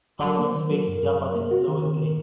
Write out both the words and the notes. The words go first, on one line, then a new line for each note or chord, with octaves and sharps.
Tom speaks Japanese fluently.
F#3 A#4
A#3
C5
D#3 C5
F#3 A#4
F#2
F#2
F#2
A#3
F#4
D#3
D#3
D#3